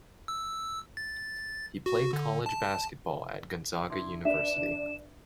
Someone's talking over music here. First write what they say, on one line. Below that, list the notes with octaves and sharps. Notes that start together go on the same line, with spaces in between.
He played college basketball at Gonzaga University.
E6
A6
F#4
D3
A5
D4 E4 C6
D4 B4 E5 E7